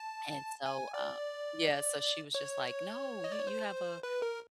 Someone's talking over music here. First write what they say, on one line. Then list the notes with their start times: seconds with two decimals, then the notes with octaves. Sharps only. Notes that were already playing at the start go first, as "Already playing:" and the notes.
And so, uh, yeah. So she was just like, "No. You you have a
Already playing: A5
0.66 G#5
0.94 D5
2.35 C#5
3.24 D#5
3.32 D5
3.39 C#5
3.47 C5
4.03 B4
4.22 A#4